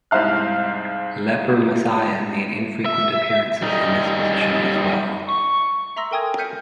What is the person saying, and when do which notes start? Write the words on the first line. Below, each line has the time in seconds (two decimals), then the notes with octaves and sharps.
"Leper Messiah" made infrequent appearances in this position as well.
0.11 C2 G#2 C5 F5 F#6
2.86 E5
3.62 G3 D#4
5.29 C#6
5.96 E5 A#5 C6 E6 A#6
6.11 A4 A#4 G5 G#5 D#6 G#6
6.38 F6 G6 B6 C#7 D#7